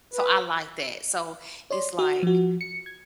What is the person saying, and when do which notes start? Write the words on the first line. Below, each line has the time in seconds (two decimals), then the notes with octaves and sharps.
so I like that. So it's like
0.14 B4
1.70 C#5 D5 C6
1.99 F#4
2.23 F3 F#4
2.61 C#7
2.86 G#6